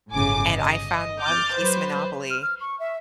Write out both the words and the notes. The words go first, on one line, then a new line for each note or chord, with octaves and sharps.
and I found One Piece Monopoly.
G1 A2 C#3 G#5 D6
D#5
D6 F6 G6 A6
F#3 B4 C5
F6
F6
C#6
E5